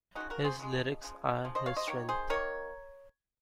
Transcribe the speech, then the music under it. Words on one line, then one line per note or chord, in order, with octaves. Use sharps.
His lyrics are his strength.
C#3 F3 G#3 D#4 F#4
F#4 A#4
G#4 C5
C#3 F3 G#3
C#3 F3 G#3
C#3 F3
C5 D#5
C#5 F5
C5 D#5
D#3 A#3 A#4 C#5
G#4 C5
D#3 A#3 A#4 C#5